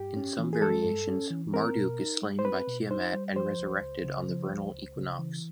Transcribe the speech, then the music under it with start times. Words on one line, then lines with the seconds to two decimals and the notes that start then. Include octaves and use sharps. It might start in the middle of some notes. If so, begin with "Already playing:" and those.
In some variations, Marduk is slain by Tiamat and resurrected on the vernal equinox.
Already playing: G2 G4
0.16 C#4
0.39 E3
0.53 G#4
0.61 G#3 A4
0.85 G2
1.08 C#4
1.30 E3
1.53 C4 A#4
1.76 B2
1.99 D#4
2.22 G3
2.39 C5
2.45 C4 B4
2.68 B2
2.91 D#4 C5
3.14 G3
3.36 F3 C5
3.59 C#2
3.82 C#2
4.04 C#3
4.28 F3
4.51 C#2
4.74 C#2
4.96 C#3
5.19 E3